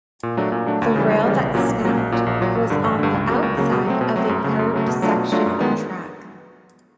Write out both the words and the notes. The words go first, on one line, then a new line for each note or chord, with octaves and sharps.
The rail that snapped was on the outside of a curved section of track.
A#2
F#3 A3 D4
A#2
F#3 A3 D4
D2
C#3 E3 G3
D2
C#3 E3 G3
B1
A#2 F#3 A#3 C#4
B1
A#2 F#3 A#3 C#4
A#1
A#2 F#3
A#1
A#2 F#3
A1
G2 D3
A1
G2 D3
C#2
C#3 F#3 A#3
C#2
C#3 F#3 A#3
B2
F#3 A3 C4
B2
F#3 A3 C4
F#2
C#3 F#3 A3
F#2
C#3 F#3 A3
B2
F#3 A3 D4 F4
B2
F#3 A3 D4 F4
F#2
D#3 G#3 B3